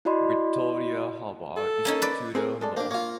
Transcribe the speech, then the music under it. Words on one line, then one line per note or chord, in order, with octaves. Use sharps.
Victoria Harbour is to the north.
E4 F#4 D5 D#5 B5 C6
A4
A#3 C#4 D#4
B4 D5
C4 G#4 A#4
G#3 A4 D5
A#3 D4 C5
A#3 F4 C#5 F5